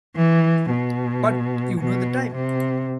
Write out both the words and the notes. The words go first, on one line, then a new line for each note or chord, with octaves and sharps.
But you know the type.
E3
B2
B2
C3